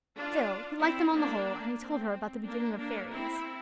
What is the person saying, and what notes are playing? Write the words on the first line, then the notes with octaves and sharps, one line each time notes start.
Still, he liked them on the whole, and he told her about the beginning of fairies.
D4 F4
C4 E4
A#3 D4
C4
A#3 D4
A#3 D4
C4 E4